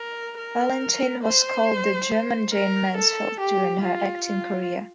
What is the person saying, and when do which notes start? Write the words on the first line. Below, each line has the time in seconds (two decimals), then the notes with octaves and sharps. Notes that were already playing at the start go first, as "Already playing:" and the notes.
Valentin was called "the German Jayne Mansfield" during her acting career.
Already playing: A#4
0.38 A#4
1.23 C5
2.53 A#4
2.97 A4
3.40 G4
3.83 F4
4.27 F4